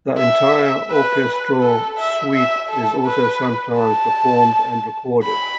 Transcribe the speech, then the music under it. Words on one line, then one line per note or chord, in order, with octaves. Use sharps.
The entire orchestral suite is also sometimes performed and recorded.
E5
B4
A4
E5
E5
A4
B4
A5
B5